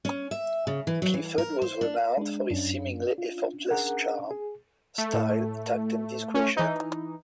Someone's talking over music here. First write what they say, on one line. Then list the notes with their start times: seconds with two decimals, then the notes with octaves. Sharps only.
Clifford was renowned for his seemingly effortless charm, style, tact and discretion.
0.05 C#4
0.31 E5
0.67 C#3
0.87 E3
1.02 F#3
1.13 E3
1.38 A#4
1.62 C5
1.81 D4
2.17 G#3 D4
2.51 F#2 C#4 D4
3.18 F4
3.71 G#4 A#4 F#5
4.31 G#4
4.98 A3
5.14 A2
6.34 C#4
6.57 E3 D#4